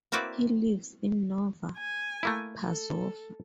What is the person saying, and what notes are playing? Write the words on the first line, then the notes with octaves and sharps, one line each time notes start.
He lives in Nova Pazova.
A#3 C4 E4 F#4 B4 D5
G#5
A3 A#3 E4
A4